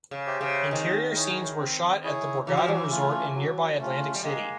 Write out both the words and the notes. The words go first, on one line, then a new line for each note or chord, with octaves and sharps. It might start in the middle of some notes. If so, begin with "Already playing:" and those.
Interior scenes were shot at the Borgata resort in nearby Atlantic City.
C#3
G4 C5 E5
C#3
D#3 C4
E4 G#4 C#5
C4
E4 G#4 C#5
E3 F#3
F3
E3
A3 C#4 F4
F#3
A3 C#4 F4
G3
G#3 A#3